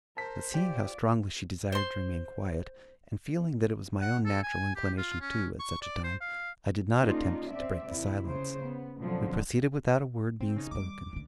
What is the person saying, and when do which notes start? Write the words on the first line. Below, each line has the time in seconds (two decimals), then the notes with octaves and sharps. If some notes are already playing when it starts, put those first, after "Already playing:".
But seeing how strongly she desired to remain quiet, and feeling that it was my own natural inclination too, at such a time, I did not attempt to break the silence. We proceeded without a word being spoken.
0.17 A#4 C5 A5 B6
0.54 F4 G4 D5
1.72 C5 C6
4.01 F#5
4.26 A4
4.43 G#5
4.76 G4
4.98 F4
5.21 C#4
5.59 C#6
5.82 D5
6.04 C5
6.21 F5
7.00 C#3 A#3 D4 D#4 F4
7.51 C4 D5 E5
7.90 D#2 C3 E4
8.24 C#3 C5
8.60 B3
8.99 F2 B2 D3 F3 F#3
10.40 B3 C4
10.56 C#3 D#4
10.71 D#3 G3 D6
11.13 C#2 D3